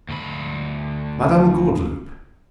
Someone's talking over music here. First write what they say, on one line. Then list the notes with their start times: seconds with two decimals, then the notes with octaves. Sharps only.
"Madame Gordeloup?"
0.09 D2 B5